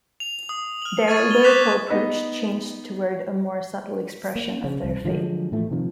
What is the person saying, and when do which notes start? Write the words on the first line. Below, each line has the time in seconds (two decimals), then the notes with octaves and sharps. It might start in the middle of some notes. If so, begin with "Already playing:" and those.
Their lyrical approach changed toward a more subtle expression of their faith.
0.20 F7
0.49 D#6
0.82 F6 F#7
1.07 C#6 D#6 F6 G#6 A6 D#7
1.31 A6 F7 G7
1.43 C#6 D6 F#6 B6 E7 F7
1.90 B3 D#4 D#5 B5
4.35 A#3
4.64 C#3 C#4
4.84 C2
5.05 D3 F3 F#3 G#3
5.52 A2 E3 F3 A3
5.71 C3 D#3 F3